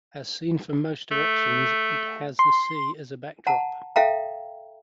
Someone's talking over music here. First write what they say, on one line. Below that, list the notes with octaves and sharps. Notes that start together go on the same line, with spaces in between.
As seen from most directions it has the sea as a backdrop.
A3
C6
F#5 A5 A#5
A4 E5 F5 G5 A#5